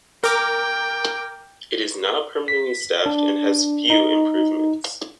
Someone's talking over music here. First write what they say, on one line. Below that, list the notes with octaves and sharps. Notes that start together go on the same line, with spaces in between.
It is not permanently staffed and has few improvements.
A#4 G5 D6
B6
D4
D#4